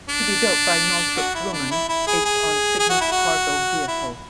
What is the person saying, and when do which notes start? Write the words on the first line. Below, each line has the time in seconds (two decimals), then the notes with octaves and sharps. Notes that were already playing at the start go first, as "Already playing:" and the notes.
To be built by Northrop Grumman based on Cygnus cargo vehicle.
0.09 D4
1.16 F#4
1.35 E4
1.53 D4
1.71 E4
1.89 E4
2.07 G#4
2.25 G#4
2.80 G#4
2.90 F#4
3.01 E4
3.12 F#4
3.88 E4